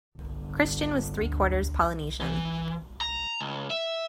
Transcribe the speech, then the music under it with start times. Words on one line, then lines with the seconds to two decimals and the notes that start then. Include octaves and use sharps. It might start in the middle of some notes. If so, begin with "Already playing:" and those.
Christian was three quarters Polynesian.
0.19 G1
1.18 D2
2.21 E3
3.01 A#5
3.41 C#2
3.70 E5